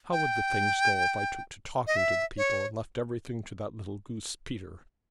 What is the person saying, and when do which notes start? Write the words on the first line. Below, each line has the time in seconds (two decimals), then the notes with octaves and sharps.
How would the things go, if I took to talking to the people, and left everything to that little goose, Peter?
0.12 G5
1.87 D#5
1.96 E5
2.37 C#5